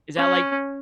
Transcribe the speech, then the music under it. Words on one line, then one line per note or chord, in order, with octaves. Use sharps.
Is that like
C#4